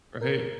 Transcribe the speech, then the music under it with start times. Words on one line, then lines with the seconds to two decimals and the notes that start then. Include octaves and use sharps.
Or hey
0.21 A#4